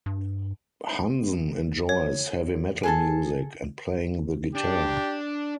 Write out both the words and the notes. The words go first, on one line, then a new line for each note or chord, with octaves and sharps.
Hansen enjoys heavy metal music and playing the guitar.
G2
C#5
G#4 A4 A5
D4 G4